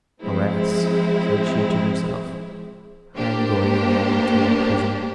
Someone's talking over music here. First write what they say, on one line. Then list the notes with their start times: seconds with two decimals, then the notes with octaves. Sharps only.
'Alas!' said she to herself, 'I am going again into my prison!'
0.22 F3 G#3 C4 E4
3.15 A#3 D4 G4 C5